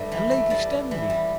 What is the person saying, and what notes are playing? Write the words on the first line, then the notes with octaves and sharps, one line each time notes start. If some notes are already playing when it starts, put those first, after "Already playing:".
And Lady Stanley!
Already playing: G2 A3 C5 D5
E3
A3
G2 D5
G2
E3
G3